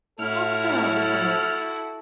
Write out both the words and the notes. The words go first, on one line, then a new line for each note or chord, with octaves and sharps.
"I'll sell the place."
A2 E4 F#4 A4 F6